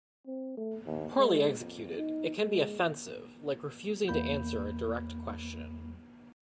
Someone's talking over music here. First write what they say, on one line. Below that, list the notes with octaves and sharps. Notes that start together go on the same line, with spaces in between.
Poorly executed, it can be offensive, like refusing to answer a direct question.
C4
A3
D#2
G#3
F2
D#4
G#3
E2 A#3 B5 G6